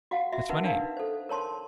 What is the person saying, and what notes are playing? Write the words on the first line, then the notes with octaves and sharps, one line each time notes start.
That's my name.
F#4 F5 F#5
F#4 E5
D#4 A#4 B4 F#5
D4 D#4 F5
A4 C5
A#4 C#5 A5 C6